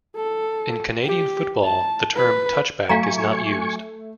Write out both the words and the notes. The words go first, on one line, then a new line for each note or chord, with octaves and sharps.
In Canadian football the term "touchback" is not used.
A4
G4
A5
B4
F#3 A3 F5 G#5 A#5 C#6